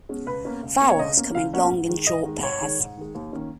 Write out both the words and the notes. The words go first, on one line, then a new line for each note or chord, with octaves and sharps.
Vowels come in long and short pairs.
B2 G#3 C#4
C#2 B4
B2 A#3 C#4
C#2
B2 A#3 C#4
C#5
C#2 D#5
B2 A#3 C#4
C#2 F5
B2 A#3 C#4 F#5
G#2
D#3 G#3
G#2 D#5
D#3 G#3
G#2 C#5
D#3 G#3
G#2
D#3 G#3
D#2
D#3 A#3 C#4